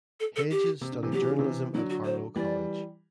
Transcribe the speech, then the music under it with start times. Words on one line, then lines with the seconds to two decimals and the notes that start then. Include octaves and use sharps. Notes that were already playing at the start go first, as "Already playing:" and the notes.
Hedges studied journalism at Harlow College.
0.20 A4
0.36 A4
0.51 G4
0.81 C3
0.92 D3
1.03 C3 E3
1.13 F#3 G4
1.21 E3
1.30 D3
1.39 C3 E3
1.74 D3 F#3 E4
1.90 F#4
2.05 C5
2.35 E3 G3 D5